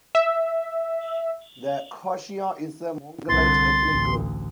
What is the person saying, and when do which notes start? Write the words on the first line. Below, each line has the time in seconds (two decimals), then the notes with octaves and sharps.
The Khasia is a Mongolite ethnic group.
0.15 E5
3.29 C2 D3 C6 A6
3.83 A1 D2